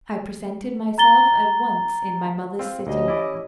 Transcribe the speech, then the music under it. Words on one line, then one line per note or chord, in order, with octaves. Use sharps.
I presented myself at once in my mother's sitting-room.
A#5 A6 G7
C4 F4
D2 C#4 G4 D#5
E4 D5